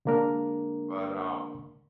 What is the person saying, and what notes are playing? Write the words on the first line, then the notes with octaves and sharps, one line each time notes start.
But, um
D3 G#3 A#3 D4 A#4